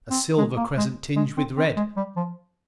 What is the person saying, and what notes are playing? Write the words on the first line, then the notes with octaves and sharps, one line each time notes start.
A silver crescent, tinged with red.
C4
G#3
A#3
G#3
G#3
C4
C4
G#3
G3
F3